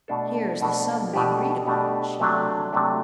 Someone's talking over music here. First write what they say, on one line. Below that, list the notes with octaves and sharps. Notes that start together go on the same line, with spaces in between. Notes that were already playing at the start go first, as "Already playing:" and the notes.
"Here is the sum we agreed upon," she added.
B2 A3 D4 A4
B2 A3 D4 A4
B2 A3 D4 G4
B2 A3 D4 G4
C3 F#3 A3 D4
C3 F#3 A3 D4